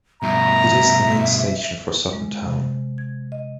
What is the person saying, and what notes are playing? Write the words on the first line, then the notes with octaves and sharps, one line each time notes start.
It is the main station for Sutton town.
G2 B2 E5 A#5
G#3
C3
G#6
D#5